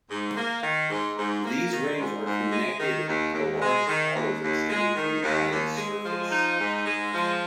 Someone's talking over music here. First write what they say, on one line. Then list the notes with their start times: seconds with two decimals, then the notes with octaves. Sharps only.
These rings are connected to large towers extending from the planets surface.
0.09 G#2
0.36 A#3
0.63 D#3
0.90 G#2
1.17 G#2
1.44 A#3
1.71 D#3
1.98 G#2
2.25 G#2
2.52 G#3
2.79 D#3
3.07 D#2
3.33 D#2
3.61 G#3
3.87 D#3
4.15 D#2
4.41 D#2
4.69 G#3
4.96 D#3
5.22 D#2
5.50 D#2
5.77 G#3
6.04 F3
6.31 D#4
6.58 G#2
6.85 G#3
7.12 F3